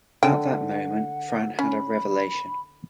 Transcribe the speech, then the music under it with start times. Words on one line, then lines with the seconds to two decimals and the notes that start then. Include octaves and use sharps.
At that moment Fran had a revelation.
0.23 D3 F#5 G5
1.59 C#4 B5